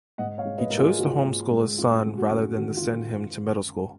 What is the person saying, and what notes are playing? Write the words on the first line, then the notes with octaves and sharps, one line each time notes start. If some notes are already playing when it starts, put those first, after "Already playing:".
He chose to home-school his son rather than to send him to middle school.
G#2 D#5 F#5
C#5 F5
G#3
B4 D#5
G#2 A#4
F4 G#4
F3 F#4
F4
F#4
G#2
G#3
F#2 F4
G#3
F#4
F#2
D#3 F#4
F4